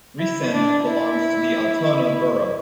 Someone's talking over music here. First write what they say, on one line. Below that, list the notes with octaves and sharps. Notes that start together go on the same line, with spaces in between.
Rissen belongs to the Altona borough.
E4
D4
E4